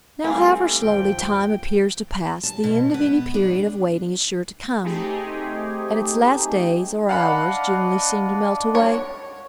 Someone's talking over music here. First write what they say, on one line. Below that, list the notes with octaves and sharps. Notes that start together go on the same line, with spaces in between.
Now however slowly time appears to pass, the end of any period of waiting is sure to come, and its last days or hours generally seem to melt away.
E3 G3 A3 C4 F4 G#5
A#1 D#2 F3 G5
A5
B2
B3
D4
A3 C4 D#4 G4 G#4
D4 D5 D#5 F5 F#5 B5
C#5